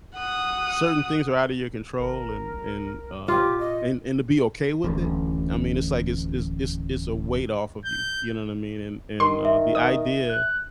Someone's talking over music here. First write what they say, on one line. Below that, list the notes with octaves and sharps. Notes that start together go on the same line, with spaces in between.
certain things are outta your control and and, uh and and to be okay with it, I mean, it's like it's it's it's it's a weight off of you, you know what I mean? And and, uh, the idea
F#5 D#6
G#1 A#4
C2
A#2 F4 G4 D6
D#5
D1 A1
G6
D#3 C6
E5
D#6
F#6